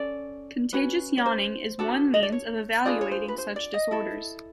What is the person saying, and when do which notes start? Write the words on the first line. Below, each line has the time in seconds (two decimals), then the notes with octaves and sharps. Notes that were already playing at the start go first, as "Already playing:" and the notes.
Contagious yawning is one means of evaluating such disorders.
Already playing: C#4 A4 D5
0.73 C#4 F#4 B4
1.18 C#5
1.26 C5
1.79 D4 F#4 A4
2.14 D#5
2.23 D5
2.32 C#5
2.85 D4 F4 G#4 B4 D5
3.01 C#5
3.11 C5
3.28 B4
3.38 C5
3.56 D5
3.74 D#5
3.91 E4 A4